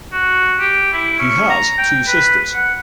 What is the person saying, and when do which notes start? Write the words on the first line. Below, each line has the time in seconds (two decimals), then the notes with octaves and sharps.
He has two sisters.
0.13 F#4
0.60 G4
0.93 E4
1.19 C#4
1.50 A#5
1.78 G5
2.07 B4
2.53 F#5